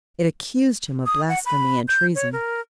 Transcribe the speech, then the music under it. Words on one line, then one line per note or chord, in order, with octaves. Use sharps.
It accused Him of blasphemy and treason.
D#6
F#5
B5
G6
C#5
A#4